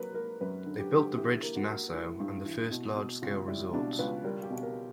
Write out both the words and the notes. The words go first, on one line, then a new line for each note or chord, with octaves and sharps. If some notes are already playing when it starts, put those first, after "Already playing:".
They built the bridge to Nassau and the first large-scale resorts.
Already playing: F#3 A#3 B4
A#3 A#4
F#2 B4
D3
G4
D3
G4
E3 G4
A#3
F#4
A#3
E3
G2
E3
B2
B2
C#2
G3 E4
B2 D4
C#2 B4
G3 A#4
G4
B2
A#4